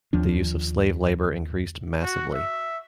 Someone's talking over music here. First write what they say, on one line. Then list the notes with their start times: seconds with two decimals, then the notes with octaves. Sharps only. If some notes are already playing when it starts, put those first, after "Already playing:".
The use of slave labour increased massively.
0.13 D#2 F3 D4
2.03 F#4
2.33 E5